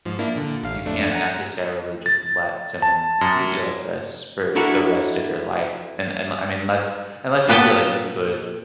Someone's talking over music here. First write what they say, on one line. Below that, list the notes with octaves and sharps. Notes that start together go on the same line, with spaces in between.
you can't necessarily just let someone treat you like this for the rest of your life. And and, I mean, less unless you feel like you could
G#2 F3
A#3 D4 E4
A#2 D3
A1 F5
F2 A3 D4
F#5 G#5 A#5
A6
A5
F#2
D4 E4 F#4 A4 A#4
A#2 B3 B4 G5 A5